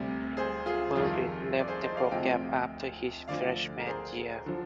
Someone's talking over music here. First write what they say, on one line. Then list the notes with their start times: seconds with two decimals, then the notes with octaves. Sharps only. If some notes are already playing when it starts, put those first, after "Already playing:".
Merritt left the program after his freshman year.
Already playing: D2 C3 G3
0.37 G#4 C5
0.66 F4 G#4
0.95 F2 C3 D#3 G3 F4 G#4
1.60 D5
1.68 G#4 C5
1.82 C5 D#5
1.97 D5 F5
2.11 D2 C3 F3 D#5 G5
3.28 D2 D3 F3 D5 F5
3.79 A#4
3.86 G#4 C5
4.46 D3 F3